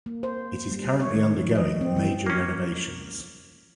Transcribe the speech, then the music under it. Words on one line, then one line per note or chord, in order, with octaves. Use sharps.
It is currently undergoing major renovations.
A#3
C5
G3
C#5
D#3
F3
D#5
C4
E3
A#3 C#4